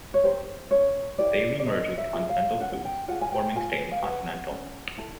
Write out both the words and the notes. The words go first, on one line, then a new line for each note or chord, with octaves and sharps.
Staley merged with Continental Foods, forming Staley Continental.
C#5
G4 A#4 C5
C#4 C#5
E4 G4 B4 D5
D5
D4 D#5
E5
F4 G#4
F5
C#4 F#5
F#5
G5
F4 G#4 F#5
G#5
G5
F4 G#5
F5
G#4 B4 F#5
C#4
E4 A4